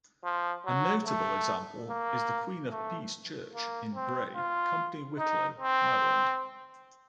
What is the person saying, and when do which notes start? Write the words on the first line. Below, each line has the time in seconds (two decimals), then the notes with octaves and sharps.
A notable example is the Queen of Peace church in Bray, Company Wicklow, Ireland.
0.24 F3
0.66 F#3
1.07 A3
1.89 A#3
2.71 A3
3.54 A#3
3.95 C4
4.36 F4
5.18 D#4
5.60 C4